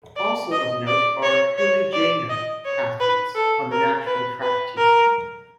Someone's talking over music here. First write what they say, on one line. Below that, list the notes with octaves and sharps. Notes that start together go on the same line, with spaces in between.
Also of note are Hiligaynon athletes on the national track team.
D5
D#5
D5
C#5
C#5
D5
D#5
C#5
B4
A4
A#4
B4
B4
A#4